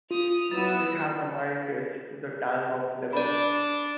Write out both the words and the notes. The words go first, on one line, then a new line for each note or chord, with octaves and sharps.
It has a mild taste, with a tang of lemon.
F4 D#6 F7
F#3 B3 E4 E6 A6
D4 D5 B5